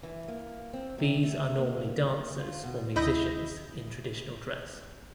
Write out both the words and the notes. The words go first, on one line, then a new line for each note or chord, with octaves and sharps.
These are normally dancers or musicians in traditional dress.
E3
A#3
C4
C3
A3
A#3
F4
B2
D2 E4 D#5 B5 G6 A#6